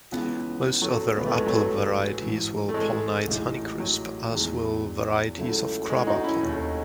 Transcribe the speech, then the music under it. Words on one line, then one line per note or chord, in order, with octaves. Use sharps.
Most other apple varieties will pollenize Honeycrisp, as will varieties of crabapple.
C#2 C#3 E3 B3
F#3 A3
A1 G#2 D#3 B3
A3
G#3
F#3 A3
A1 G#2 E3
A3
G#3
A1 A2 G#3 D#4
F#3
E2 D#3 G#3
C#2 C#3 F#3 A3 E4
G#3
D#4 F#4
C#4 E4
D#2 D#3 A3 D#4